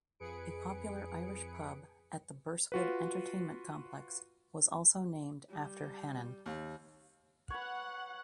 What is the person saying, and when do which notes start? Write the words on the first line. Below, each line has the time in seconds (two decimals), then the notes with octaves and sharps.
A popular Irish pub at the Burswood Entertainment Complex was also named after Hannan.
0.20 F2 G#4 B4 C#7 D7
2.72 F4 F#4 B4
5.49 G3
6.46 D#2
7.50 B4 C#5 F#5